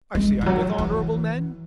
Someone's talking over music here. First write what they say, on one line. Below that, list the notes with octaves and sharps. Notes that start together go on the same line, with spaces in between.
I see I'm with honorable men.
G#3
E3
F#3
E3